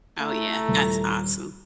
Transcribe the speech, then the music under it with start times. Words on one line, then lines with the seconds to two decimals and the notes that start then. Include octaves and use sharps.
Oh, yeah, that's awesome.
0.20 A3 E4 A4 A#5
0.68 D#1